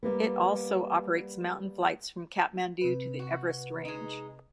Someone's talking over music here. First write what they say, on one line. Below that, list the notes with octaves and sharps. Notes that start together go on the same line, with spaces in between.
It also operates mountain flights from Kathmandu to the Everest range.
G3 A#3 B3
C3 B4
F#4
G#3 D#4